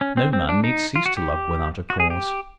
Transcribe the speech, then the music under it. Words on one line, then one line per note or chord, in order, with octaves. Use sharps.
No man need cease to love without a cause.
C#4
C4
C4
D4
D#4
F4
F#4
G4
F#4
G#4
G4